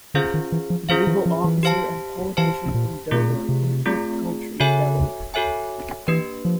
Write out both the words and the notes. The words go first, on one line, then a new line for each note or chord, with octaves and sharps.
Naval officer and politician from Dover, in Kent County, Delaware.
D3 C#4 F4 G#4 C5 F5
D#3
E3
F3
E3 C#4 F4 G#4 C5 F5
E3
F3
E3
G4 C5 F5 A5
E3 G4 C5 F5 A5
A#2
B2 A3 C4 F4 G#4
A#2
B2
C3
A3 C4 F4 G#4
C#3 F#4 A4 C#5 E5 G#5
F#4 A4 C#5 E5 G#5
E3 A#3 D4 G4 B4
F3